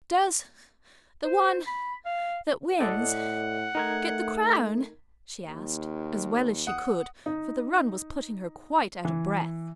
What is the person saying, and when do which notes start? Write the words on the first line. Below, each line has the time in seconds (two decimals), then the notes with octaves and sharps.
'Does--the one--that wins--get the crown?' she asked, as well as she could, for the run was putting her quite out of breath.
1.24 C5
1.67 B5
2.05 F5
2.80 A2 A4 D5 D#5 F#5
3.75 A3 D#4 A#4 G#6
5.46 D#2
6.67 F#5 D#6
7.26 D#4
9.05 E3